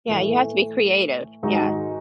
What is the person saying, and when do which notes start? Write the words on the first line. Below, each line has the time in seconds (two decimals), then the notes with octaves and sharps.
Yeah, you have to be creative. Yes,
0.08 A2 E3 A3
1.43 G#2 D#3 G#3 D#4 F#4